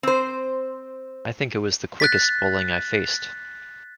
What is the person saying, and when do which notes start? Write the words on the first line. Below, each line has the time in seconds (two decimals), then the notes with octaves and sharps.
I think it was the quickest bowling I faced.
0.03 C4 C5
2.00 F#6 A6 B6